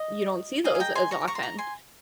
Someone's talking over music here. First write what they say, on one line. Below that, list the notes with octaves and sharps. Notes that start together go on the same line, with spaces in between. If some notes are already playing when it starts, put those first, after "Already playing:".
you don't see those as often,
Already playing: D#5
G#4 D#5 F5
G#5
G5 A#5
G#5 C6
A#5 C#6
A#5 C#6
C6
A#5 C#6
G#5 C6